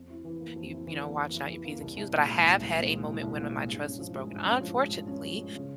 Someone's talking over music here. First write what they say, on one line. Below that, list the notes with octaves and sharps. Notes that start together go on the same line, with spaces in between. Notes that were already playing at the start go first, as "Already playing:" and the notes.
you you know, watching out your Ps and Qs. But I have had a moment when m my trust was broken, unfortunately,
Already playing: F2
E4
E3
A#3
F2
E4
E3
A#3
F2
E4
E3
A#3
C2
C2
A#2
G#3
C2
C2
A#2
G#3
C2
C2
A#2
G#3
G2
C#4
F3
G#3
G2
C#4
F3
G#3
G2
C#4
F3
G#3
C#3